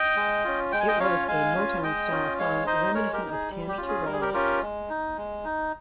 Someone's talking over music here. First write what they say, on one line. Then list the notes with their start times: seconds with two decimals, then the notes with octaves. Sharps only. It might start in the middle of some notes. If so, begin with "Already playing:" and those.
It was a Motown-style song reminiscent of Tammi Terrell.
Already playing: D#5 G5
0.17 G#3
0.44 C#4 F4
0.72 G#3 G5
0.80 G#5
0.88 D#5 G5
0.99 C#4 F4 C#5 F5
1.28 G#3 F5 G#5
1.55 C#4 F4
1.83 G#3 D#5 G5
2.11 C#4 F4
2.39 G#3 C#5 F5
2.67 D#4 C5 D#5
2.94 G#3 A#4 C#5
3.13 G4 A#4
3.22 D#4
3.32 G#4
3.50 G3
3.69 G4
3.78 C#4 F4
3.88 G#4
4.05 G3 A#4
4.13 G#4
4.21 G4 A#4
4.34 C#4 F4 G4 A#4
4.62 G#3
4.89 D#4
5.18 G#3
5.45 D#4